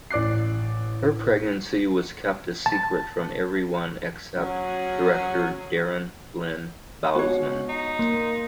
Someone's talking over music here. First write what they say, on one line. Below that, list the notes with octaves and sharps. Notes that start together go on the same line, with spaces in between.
Her pregnancy was kept a secret from everyone except director Darren Lynn Bousman.
A1 D5 D6 F#6 C7
A5
F#3 C#4 F#4 G#4
G#3 B3 F#4 C#5 D#5
D#4
A#3 C6